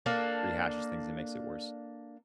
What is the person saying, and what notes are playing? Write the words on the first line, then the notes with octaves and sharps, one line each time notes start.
rehashes things and makes it worse.
A#3 D4 A4